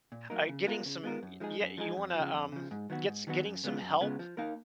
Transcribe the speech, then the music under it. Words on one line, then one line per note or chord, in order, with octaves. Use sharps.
uh, uh, getting some yeah, you wanna, um, get s getting some help
A#2
F#3 A#3 D#4 A#4
C#3
G#3 B3 F4 A#4
C#3
G#3 B3 F4 A#4
F#2
F3 G#3 D#4 G#4
F#2
F3 G#3 D#4 G#4
F2
C#3 F3
F2
C#3 F3
G#2
D#3 F#3 B3 F#4
G#2
D#3 F#3 B3 F#4
F#2
C#3 G#3 B3 F4
F#2
C#3 G#3 B3 F4
F3
A#3 D#4 A#4 F5